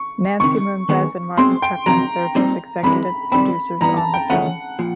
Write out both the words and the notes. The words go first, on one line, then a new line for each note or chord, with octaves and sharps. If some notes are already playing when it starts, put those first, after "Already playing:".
Nancy Moonves and Martin Tuchman served as executive producers on the film.
Already playing: C#6
C#2 C3 D#3 C#6
D#2 D#3 G#3 B3
B2 G#3 C4 C6
G5
F2 C3 D#3 F#3 A#5
A#2 G3 C4 D#4
C2 C3 E3 G#3 B5
C3 D#3 G3 C4 B5
G#2 E3 G3 B3 E4 A#5
A5
G5
E2 C#3 F3 A3 C#4 F#5
A#2 F3